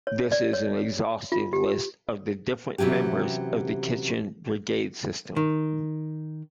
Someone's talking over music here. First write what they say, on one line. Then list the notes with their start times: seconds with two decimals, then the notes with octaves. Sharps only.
This is an exhaustive list of the different members of the kitchen brigade system.
0.07 C#5
0.32 D5
0.53 C#5
1.32 F4
1.53 G4
2.78 C3 E3 F#3 C#4 G4
5.36 D#3